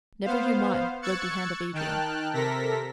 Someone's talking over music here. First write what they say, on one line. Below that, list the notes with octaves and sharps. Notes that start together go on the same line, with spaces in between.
"Never you mind," wrote the hand of Adrian.
B3 C5 F5
C#6 E6 F#6 G#6 A6 C#7
D#3 G5 A5 F6 F#6
C3 A4 A#4 A#6 B6